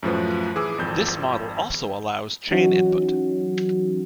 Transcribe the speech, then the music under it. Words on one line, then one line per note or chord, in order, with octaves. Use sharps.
This model also allows chain input.
F#2 A2 F3 B4
E3 G#4 D6 E6
G#1 F2 G6
E3 F#3 C#4 D#4 F#4